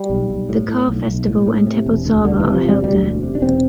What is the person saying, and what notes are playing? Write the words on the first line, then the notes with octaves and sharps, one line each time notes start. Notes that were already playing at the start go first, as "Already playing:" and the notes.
The car festival and 'Teppotsava' are held there.
Already playing: G3
B1
B1
A2
A2
B1
B1
A2
A2
C3
E1
D2
E1 D3
E3
C3
F3
E1 G3
D2 G3
E1
C3
D4
E1 C4